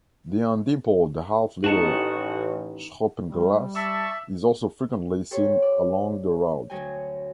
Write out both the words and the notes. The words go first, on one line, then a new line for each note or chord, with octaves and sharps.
The undimpled half-litre "Schoppenglas" is also frequently seen along the route.
A1 D#4 F#4 A5 C#6
G3
E5 A5 C#6 D6 E6 B6
G4 A4 C5 C#5
D5
D2 F#3 G5 G#5